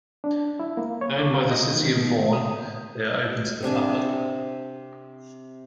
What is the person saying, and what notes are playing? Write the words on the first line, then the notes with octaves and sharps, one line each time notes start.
Owned by the City of Vaughan, they are open to the public.
D4
E4
A#3
C#5
D6
F5
D#5
D#3
B2
D#6
C3 D4 G#5 D6